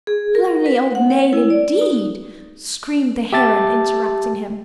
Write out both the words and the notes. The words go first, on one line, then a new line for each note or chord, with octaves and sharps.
"Lonely old maid, indeed!" screamed the Heron interrupting him.
G#4
A#4
B4
F#5
C#5
E4
D5
D#4
G4 E5 A5 A6